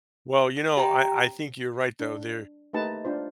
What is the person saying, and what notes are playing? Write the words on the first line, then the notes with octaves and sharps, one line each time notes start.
Well, you know, I I think you're right though, there
G4 G5 A#5
D4
A3 A#3 D#4 G4 B4 A5
D4 F4 C5